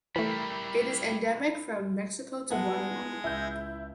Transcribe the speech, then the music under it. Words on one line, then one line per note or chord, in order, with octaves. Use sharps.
It is endemic from Mexico to Guatemala.
E3 G3 A3 E4 A#4 B5
G#3 B3 E5 F#5 A5 G#6 A#6
C#2 E4 G6